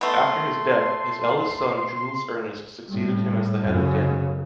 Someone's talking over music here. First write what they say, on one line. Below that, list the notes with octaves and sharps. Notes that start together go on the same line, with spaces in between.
After his death, his eldest son Jules-Ernest succeeded him as the head of Dannenberg.
A3 B3 C6
A2 G3
F#2 C#3